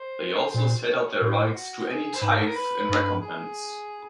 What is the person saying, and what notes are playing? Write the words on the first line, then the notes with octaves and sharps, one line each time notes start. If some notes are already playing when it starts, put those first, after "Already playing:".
They also set out their rights to any tithe in recompense.
Already playing: C5
A#2
C#5
A2 C5
F#4
G#4
C5
G#2 B4
A#4
A4
A#4
B4
G2
G#4